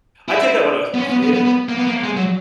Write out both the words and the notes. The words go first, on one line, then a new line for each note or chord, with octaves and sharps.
I did that when I was a kid, you know?
E4
B3
C#4
B3
B3
B3
B3
A#3
B3
A#3
G#3
F#3